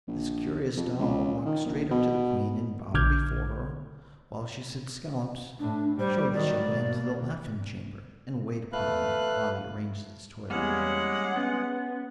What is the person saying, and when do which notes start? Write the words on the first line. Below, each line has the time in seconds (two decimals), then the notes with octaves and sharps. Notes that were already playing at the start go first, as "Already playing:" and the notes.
This curious doll walked straight up to the Queen and bowed before her, while she said, "Scollops, show this young man to the laughing chamber, and wait upon him while he arranges his toilet."
0.07 A#1
0.77 F2
0.99 C#2
1.45 D#3
1.66 A#1
1.91 B2
2.94 A#1 D3 D6 F6 G6 G#6
5.59 A2 D4
6.00 G3 C5
6.34 D#3 F#3 D5
6.69 B2 A#3
8.73 A3 B4 F5 F#6
10.50 E2 G3 G#3 A#3 C#4 F#5
11.36 B3 C#4